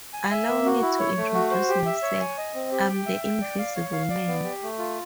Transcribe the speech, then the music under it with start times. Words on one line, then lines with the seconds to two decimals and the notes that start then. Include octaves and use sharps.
Allow me to introduce myself--I'm the Invisible Man!
0.13 G#5
0.31 E5
0.48 A#3
0.65 F#4
0.82 E4
1.00 C#5
1.17 A3
1.34 F#4
1.51 C5
1.69 G4
1.86 E5
2.03 C#5
2.21 G#5
2.38 D#5
2.55 C4
2.72 G4
2.89 G5
3.06 E5
3.24 G5
3.42 D5
3.59 F5
3.75 C#5
3.92 F5
4.10 D5
4.28 B3
4.44 G4
4.62 A3
4.79 F4